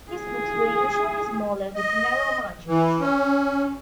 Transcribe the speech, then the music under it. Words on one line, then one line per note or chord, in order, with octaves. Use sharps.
His books were usually smaller with narrow margins.
G#4
D#5
E3
C#4